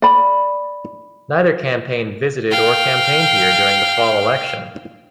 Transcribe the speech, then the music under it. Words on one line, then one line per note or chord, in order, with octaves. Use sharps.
Neither campaign visited or campaigned here during the fall election.
D5 B5
F5 G5